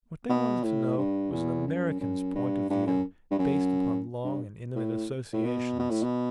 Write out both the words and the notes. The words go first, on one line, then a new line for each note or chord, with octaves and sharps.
What they wanted to know was an American's point of view, based upon long and intimate associations.
B2
A2
G2
E2
F#2
F#2
G2
G2
F#2
G2
F#2
G2
A2
A2
B2
B2
A2
B2